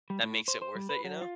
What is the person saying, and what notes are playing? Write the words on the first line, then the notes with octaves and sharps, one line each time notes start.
that makes it worth it, you know?
G3
A2
C5
C5
G3
B4
F#3
F4